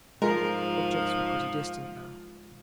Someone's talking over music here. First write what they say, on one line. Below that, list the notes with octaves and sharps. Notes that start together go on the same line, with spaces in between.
Objects were pretty distinct now.
G#2 F3 G#3 F4 A#4